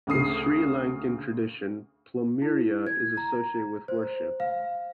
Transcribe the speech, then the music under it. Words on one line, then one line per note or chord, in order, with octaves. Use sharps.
In Sri Lankan tradition, plumeria is associated with worship.
D2 C#3 D#6 C7
E4
G#6
A#5
C5
F5